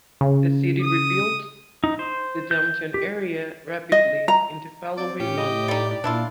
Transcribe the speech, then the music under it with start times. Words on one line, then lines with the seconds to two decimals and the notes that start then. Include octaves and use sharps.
The city rebuilt the downtown area rapidly in the following months.
0.21 C#3
0.82 D#6
1.84 D#4
1.99 C5
2.51 G6
2.94 G4
3.92 D#5
4.28 A#5
4.97 C4 D5
5.20 A2 C#4 G4
5.37 D#5
5.68 G3 D#4 D5
5.91 D5
6.04 A#2 D4 E4 F4